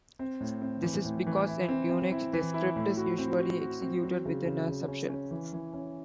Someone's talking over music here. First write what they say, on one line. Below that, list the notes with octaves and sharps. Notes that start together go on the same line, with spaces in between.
This is because in Unix, the script is usually executed within a subshell.
C4
A2
C4
E3
A2
E3
E4
C4
C4
E4
E3
E4
A2
F#4
C4
F#4
F#4
C4
F#3
C#3
C#3
C#3
C#4
C#4
E3
E3
C#4